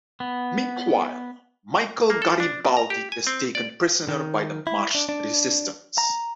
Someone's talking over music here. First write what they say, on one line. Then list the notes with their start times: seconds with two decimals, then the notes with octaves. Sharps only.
Meanwhile, Michael Garibaldi is taken prisoner by the Mars Resistance.
0.20 B3
2.10 A#3
2.22 A4
2.40 D4
2.65 B2
2.77 A#5
2.90 G4
3.12 G#5
3.27 C4
3.55 D5
4.09 D#3
4.67 E4
4.95 D4
5.09 D4
5.98 A#5